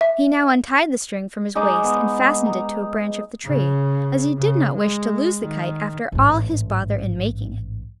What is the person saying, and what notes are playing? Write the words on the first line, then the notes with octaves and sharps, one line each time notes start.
He now untied the string from his waist and fastened it to a branch of the tree, as he did not wish to lose the kite after all his bother in making it.
E5
G#3 D#4 D#5 D6
B3
A#5
C#3
C#3
G#3
D#3
A1 G#2